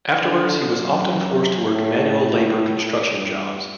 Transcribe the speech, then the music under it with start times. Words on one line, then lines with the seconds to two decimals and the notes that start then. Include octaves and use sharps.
Afterwards he was often forced to work manual labor construction jobs.
0.24 D3
0.72 F#2
1.67 A2
3.11 G2